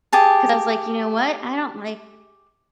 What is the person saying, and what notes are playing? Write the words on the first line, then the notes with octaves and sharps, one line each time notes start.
'cause I was like, "You know what, I don't like
G4 G#4 A5